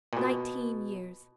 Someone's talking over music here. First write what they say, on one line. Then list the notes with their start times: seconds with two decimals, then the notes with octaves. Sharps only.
Nineteen years.
0.13 A#2
0.17 B2